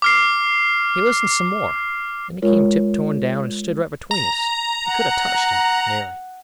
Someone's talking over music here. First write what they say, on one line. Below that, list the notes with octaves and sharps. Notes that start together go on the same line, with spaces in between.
He listened some more; then he come tiptoeing down and stood right between us; we could a touched him, nearly.
D6 F6 C7
G#3 F4 A#4 C#5
A#5
F#5